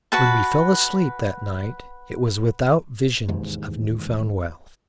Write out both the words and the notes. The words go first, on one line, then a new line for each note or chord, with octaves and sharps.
When we fell asleep that night, it was without visions of new-found wealth.
F#4 B4 A5
E1 D#2 G#2